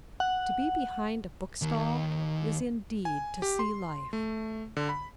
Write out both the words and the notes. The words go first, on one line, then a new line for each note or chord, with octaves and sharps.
To be behind a bookstall is indeed to see life.
F#5
D#2 D#3
G#5
G4
C6
A3
D3
B5